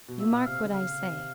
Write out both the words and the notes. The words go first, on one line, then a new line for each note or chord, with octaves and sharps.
You mark what I say.
B2
A#2 E5
C3 F5
C3
C#3
F5
C#3
C3